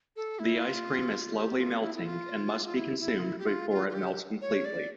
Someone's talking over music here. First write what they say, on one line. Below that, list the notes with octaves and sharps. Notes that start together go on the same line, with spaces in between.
The ice cream is slowly melting, and must be consumed before it melts completely.
A4
E4
F4
G4
F4
E4
E4
F4
F4
E4
E4
F4
E4
G4
F4
F4
F4
G4
C#5
D5